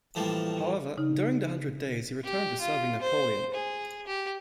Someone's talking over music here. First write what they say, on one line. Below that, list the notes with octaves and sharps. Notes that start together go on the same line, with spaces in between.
However, during the Hundred Days he returned to serving Napoleon.
A2 E3 F3 G3 A#3
C#3 D#4
G4
F4
C5
G#4
G4